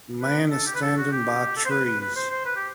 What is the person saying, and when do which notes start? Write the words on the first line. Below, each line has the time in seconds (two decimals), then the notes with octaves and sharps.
A man is standing by trees.
0.22 B4
0.51 A4
0.67 G4
0.74 B4
0.82 A4
0.97 F#4
1.12 G4
1.56 A4
1.65 C5
1.70 B4
1.85 B4
2.00 B4
2.16 C5
2.30 C5
2.45 B4
2.56 G4